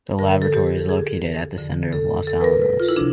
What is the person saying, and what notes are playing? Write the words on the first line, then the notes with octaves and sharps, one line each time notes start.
The laboratory is located at the center of Los Alamos.
F#2 D3 F3 A#4
A#4
A4
G4
G#4
F2 D3 F3
A4
A4
B4
A#4
B4
F4
E4
C3 F3 D4